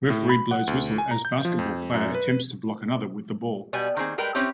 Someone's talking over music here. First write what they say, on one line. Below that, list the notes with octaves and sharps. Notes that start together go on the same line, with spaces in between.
Referee blows whistle as basketball player attempts to block another with the ball.
A2
B5
F#5
D2
G#5
A#5
G6
F3
F2
F#2
B4
B2 G3 G#5
D#3 A#3 C4 G#4
G3 G#3 A#4 B4 G5
C4 C#4 E4 G4